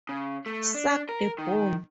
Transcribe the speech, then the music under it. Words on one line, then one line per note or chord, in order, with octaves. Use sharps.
Suck the bone.
C#3
A3
D4
A#4
D#3